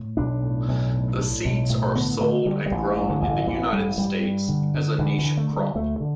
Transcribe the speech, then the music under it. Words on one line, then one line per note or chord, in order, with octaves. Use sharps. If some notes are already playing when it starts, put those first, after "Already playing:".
The seeds are sold and grown in the United States as a niche crop.
Already playing: A2
B1 D4
A2
B1
A2
A2
B1
A2
D3 B3
D3 A3
D3 G3
G3
A1 E3
G2
D3
A1
D3
A1 E3
G2 G3
G2 G3
G2
D3
D3
D3 E3
E3
D3
A3
D3
G3
D2 A3
D3